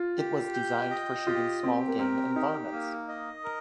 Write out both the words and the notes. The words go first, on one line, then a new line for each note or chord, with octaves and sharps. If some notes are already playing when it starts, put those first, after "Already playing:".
It was designed for shooting small game and varmints.
Already playing: F4
G4
G5
D#5
F4 G4
C4 G4
A#3
C4 A#4
D#4 G4
A#3
D#5
A#4